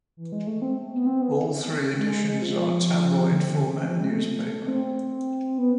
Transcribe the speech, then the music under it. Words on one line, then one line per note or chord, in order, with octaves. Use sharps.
All three editions are tabloid format newspaper.
E3
G#3
A3
C4
B3
C4
B3
G#3
F3
D3
D3
E3
F3
G#3
A3
C4
B3